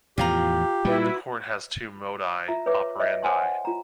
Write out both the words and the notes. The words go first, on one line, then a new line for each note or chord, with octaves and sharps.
The court has two modi operandi.
E2 A2 F3 F4 G4 F5 A#5
A#2 G3 E4 F#4 B4
F4 E5 A#5
B4 C#5 E5 D6
C#5 D#5 E5
C5 C#5 F#5 G#5 A5 C6
F#5
F4 A#5